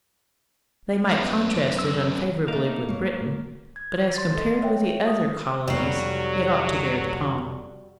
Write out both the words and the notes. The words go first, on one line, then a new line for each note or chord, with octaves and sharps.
They might contrast it unfavourably with Britain, but as compared with the other colonies, it ought to bear the palm.
F#2 B3
E6
A3 A#3 D#4 A#4 F5
G#2 F#3
G#6
C6 A6
A4 D#5
C#5 E5 F#5 G5
D#6
F1 F#3 G3 F#4 C7